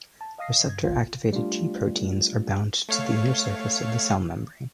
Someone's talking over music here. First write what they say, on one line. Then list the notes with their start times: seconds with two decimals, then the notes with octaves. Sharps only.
Receptor-activated G proteins are bound to the inner surface of the cell membrane.
0.21 A5
0.38 D#5 F5 D#6 A#6 C7
0.67 G2 G#6
0.84 G1 C2 F4
1.33 G3 A3 D4 F4
2.89 A3 C#5 F5